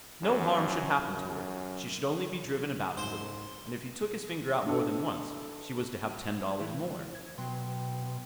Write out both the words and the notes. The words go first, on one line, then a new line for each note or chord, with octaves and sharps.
No harm should happen to her; she should only be driven about a little; and if he took his finger out more than once, she was to have ten dollars more.
F#2
F#2
G#2 C5 C6
D4 A4
E3 A3 E4
G#6
B2 F#3 G5 C6